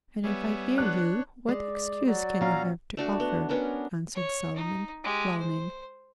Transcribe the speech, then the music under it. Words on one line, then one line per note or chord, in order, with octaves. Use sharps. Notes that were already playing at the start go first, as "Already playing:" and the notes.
"And if I hear you, what excuse can you have to offer?" answered Solomon, frowning.
G3 B3 C#5 E5 G#5
D4 C#5 F#6
G#3 D5
F#3 D5
A#2 C#4 F5 A#5
A3 D4 F#4
B3
B3 C#4 D4 A#4
C#5
D#4
G#3 G4
C5